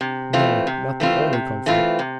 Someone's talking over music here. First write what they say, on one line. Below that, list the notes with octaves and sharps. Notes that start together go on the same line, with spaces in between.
No; not the only comfort.
C3
E3 A3 C4 F4
C3
E3 A3 C4 F4
C3
E3 A3 C4 F4
C3